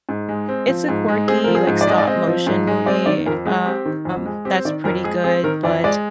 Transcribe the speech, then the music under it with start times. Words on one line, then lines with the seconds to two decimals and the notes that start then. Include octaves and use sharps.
it's a quirky, like, stop-motion movie, um, that's pretty good, but,
0.09 G#2
0.28 G#3
0.49 C4
0.68 F3
0.88 G#2
1.08 G#3
1.28 C4 G#4
1.44 F3 A#4
1.55 G#4
1.67 G#2
1.81 D5
1.87 G#3 D#5
1.98 D5
2.07 C4 D#5
2.27 F3
2.47 G#2
2.67 G#3
2.86 C4 D5
3.06 D#3 D5
3.26 F2 A#4
3.45 G#3 G#4
3.65 C4 G4
3.86 D#3
4.05 F2
4.26 G#3
4.45 C4 G4
4.57 C5
4.65 D#3 D5
4.84 F2 A#4
5.04 G#3 G#4
5.24 C4 G#4
5.44 D#3 A#4
5.64 F2 D5
5.84 G#3 D5